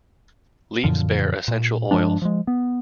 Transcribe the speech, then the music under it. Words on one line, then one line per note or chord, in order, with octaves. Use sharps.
Leaves bear essential oils.
F#2 A#2 D3 F3
A#2
G2 F3 G#3 D4
F3 G#3
B3